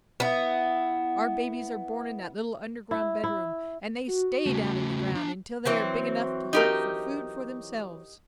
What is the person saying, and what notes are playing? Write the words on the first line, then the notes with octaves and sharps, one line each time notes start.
"Our babies are born in that little underground bedroom, and they stay down in the ground until they are big enough to hunt for food for themselves."
B3 E4
E4
E4
F#4
C#3 A3
D4 A#5
E3 F#3 C4
D#4 G4 A#4